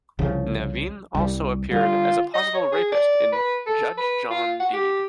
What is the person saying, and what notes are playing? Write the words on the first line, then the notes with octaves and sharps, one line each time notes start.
Navin also appeared as a possible rapist in "Judge John Deed".
C2 C#3 F3
C2 G3
D3 G3 F4
D#5
C#5
G#4
D5
B4
A4
B4
F4
F#5
G4